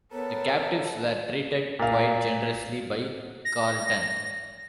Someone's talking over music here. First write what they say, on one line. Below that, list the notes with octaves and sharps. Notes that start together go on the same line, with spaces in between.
The captives were treated quite generously by Carleton.
B3 A4 A#4 C#5
A#2 F5
A#6